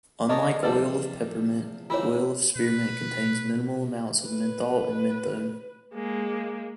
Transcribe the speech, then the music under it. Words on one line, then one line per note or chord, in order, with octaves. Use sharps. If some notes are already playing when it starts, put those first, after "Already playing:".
Unlike oil of peppermint, oil of spearmint contains minimal amounts of menthol and menthone.
A#3 D4 A#4 C#5 D#5 A5
E2 C3 F3 G3 A4 B4 D5 A5
E3 A#3 C4 E4 F4 C#5
B2 B4
B4
G#3 A#3